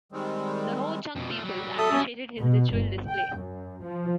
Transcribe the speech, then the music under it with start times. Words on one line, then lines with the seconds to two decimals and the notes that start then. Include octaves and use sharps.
The Ho-Chunk people appreciated his ritual display.
0.12 D#3 G3 G#3 C4
1.16 F2 B2
1.30 A3 F4
1.43 F#3 G3
1.78 A4 E5 A5 D#6
1.91 C#4
2.37 B2
2.74 G1
3.07 G5
3.36 F#2
3.83 F3